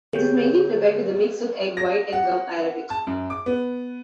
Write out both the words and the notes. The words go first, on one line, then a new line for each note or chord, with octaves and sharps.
It is mainly prepared with a mix of egg white and gum arabic.
D3 G4 G#4 C#5 G6
A#6
F#5
A5
F#2
D6
B3